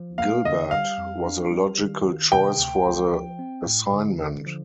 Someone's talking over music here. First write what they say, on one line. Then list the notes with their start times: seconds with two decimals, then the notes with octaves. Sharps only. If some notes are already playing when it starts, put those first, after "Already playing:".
Gilbert was a logical choice for the assignment.
Already playing: F3
0.18 A#3 F5
0.45 D3 D#5
0.71 G3 F5
0.98 F2
1.25 D4
1.51 G3
1.78 D#3
2.05 D#3
2.32 C3 G5
2.58 D2
2.85 D2
3.12 F3
3.39 C4
3.66 A2
3.93 D3
4.19 D3
4.46 F3